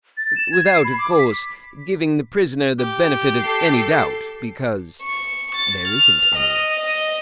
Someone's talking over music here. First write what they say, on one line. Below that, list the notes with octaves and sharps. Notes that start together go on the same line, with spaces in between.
Without, of course, giving the prisoner the benefit of any doubt, because there isn't any.'
A6
E7
G#6
C7
B5
D6
B6
G4
A4 C7
C#6
A6
F6
D#5
D#5